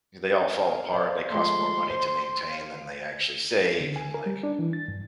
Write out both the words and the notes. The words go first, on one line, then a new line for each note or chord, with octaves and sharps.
they all fall apart. They cost more money to maintain than they actually save and, like,
F5
C5 D5
F3 G#3 A3 C6
C5
F5
D3
G#5
A#4
G3
D4
E3
A6
G2